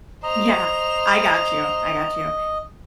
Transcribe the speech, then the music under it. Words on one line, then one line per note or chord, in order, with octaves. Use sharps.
Yeah. I got you. I got you.
C5 D#5 A#5 F7